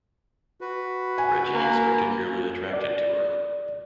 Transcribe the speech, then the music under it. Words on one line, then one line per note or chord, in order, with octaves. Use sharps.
Reggie is particularly attracted to her.
F#4 B4
G#5
A#3
D5